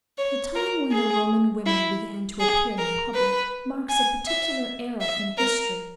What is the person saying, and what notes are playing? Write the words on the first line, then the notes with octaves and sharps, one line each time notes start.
The time when the Roman women began to appear in public, marks a particular era in history.
C#5
A#4
G#4
E4
G#4
A#4
B4
G#5
E5
E5
A#4